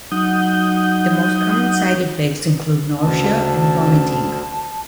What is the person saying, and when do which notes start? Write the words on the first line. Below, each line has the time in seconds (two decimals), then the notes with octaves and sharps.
The most common side effects include nausea and vomiting.
0.11 F#3 D#4 F#5 D#6 G6
3.02 D2 C#3 A5